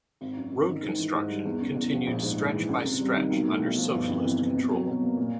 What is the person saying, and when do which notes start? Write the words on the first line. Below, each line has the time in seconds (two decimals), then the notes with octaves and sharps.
Road construction continued stretch by stretch under socialist control.
0.21 G#1
0.37 F#2
0.52 G#1
0.68 D#3
0.83 G#2
0.99 E3
1.15 G#2
1.29 G3
1.45 E2
1.61 C#3
1.76 E2
1.92 F3
2.07 A#1
2.23 G#2
2.38 G#3
2.54 E3
2.69 C#2
2.85 C3
3.00 G3
3.16 D#3
3.31 B1
3.48 A2
3.62 B1
3.78 F3
3.93 G1
4.09 F2
4.25 E3
4.41 C3
4.56 B2
4.71 F#3
4.87 B2
5.03 A#3
5.17 A#2